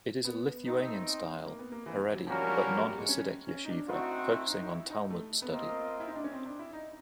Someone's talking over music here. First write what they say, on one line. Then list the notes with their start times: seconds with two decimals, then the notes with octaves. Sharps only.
It is a Lithuanian-style, Haredi but non-Hasidic yeshiva focusing on Talmud study.
0.25 B3
0.65 A3 C4 D#4
1.46 A#3
1.59 B3
1.72 A#3
1.86 E3
2.14 F#3
2.27 F3 G3 A#3 C#4 F#4 A#4
2.37 E3
2.47 F3
2.68 F3
2.78 F#3
2.88 G3
2.98 G#3
3.09 C#4
3.48 C#4
3.65 D#4
3.70 D4
3.89 A3 C4 D#4 E4 F#4
4.30 E4
4.50 D#4
4.62 D#4
4.70 E4
4.90 D#4
5.10 A3
5.42 B3
5.51 A#3 C4 F4 A#4 D#5
6.00 E4
6.07 D#4
6.16 D4
6.24 C#4
6.33 C4
6.46 D4
6.59 E4
6.73 D#4